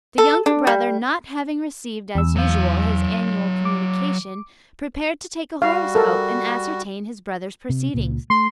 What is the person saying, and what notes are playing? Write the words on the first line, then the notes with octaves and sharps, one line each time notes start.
The younger brother not having received as usual his annual communication, prepared to take a horoscope and ascertain his brother's proceedings.
A4
D4
G3
E2 E6
F#3 F5
D6
G3 F#4 F5
A4 A#4
C3
C#2 A#2
A3 C6